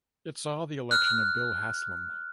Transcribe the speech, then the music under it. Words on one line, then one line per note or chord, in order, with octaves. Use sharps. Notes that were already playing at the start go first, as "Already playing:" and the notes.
It saw the election of Bill Haslam.
F6 F#6